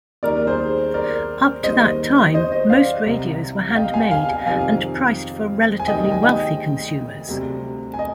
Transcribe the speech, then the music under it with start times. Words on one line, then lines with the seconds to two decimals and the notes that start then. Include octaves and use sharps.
Up to that time most radios were handmade and priced for relatively wealthy consumers.
0.23 D#2 D#3 G3 A#4 D5
0.47 G#4 C5
0.94 A#4 D5
1.64 D#2 D#3 G3 C5 D#5
2.34 C5 D#5
2.52 C5 D#5
2.70 D5 F5
3.06 C2 C3 G3
3.70 F5
3.76 D#5 G5
3.94 F5 G#5
4.11 F5 G#5
4.29 F5 G#5
4.46 F2 C3 D#3 G3 F5 G#5
5.79 G#5
5.87 D2 C3 D#3 G3 D#5 G5
6.12 G#5
6.22 D#5 G5
7.28 D2 C3 G3
7.94 G#5
7.99 D#5